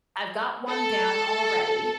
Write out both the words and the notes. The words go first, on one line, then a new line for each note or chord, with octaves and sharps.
I've got one down already,
A4